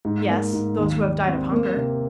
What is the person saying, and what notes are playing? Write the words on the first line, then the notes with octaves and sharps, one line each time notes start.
"Yes; those who have died of hunger."
G#2
A#3
G#2
D#2
G3
C4
A#3
C3